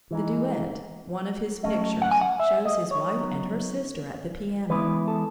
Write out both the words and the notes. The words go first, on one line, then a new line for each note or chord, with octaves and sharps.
"The Duet", one of his pictures, shows his wife and her sister at the piano.
E3 G#3 D#4
F#3 A3 C#4 D#5
F#5
G#5
F#5
E5
D#5
C#5
F#3 B3 D#4
E3 G#3 B3 E4 B4
A4